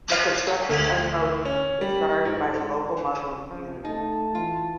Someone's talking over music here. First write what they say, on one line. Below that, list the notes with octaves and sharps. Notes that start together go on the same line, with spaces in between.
The construction of the mosque was started by the local Muslim community.
F5
D2
C#4
G3
G#2
F3
A3 D#4 A5
E3 F4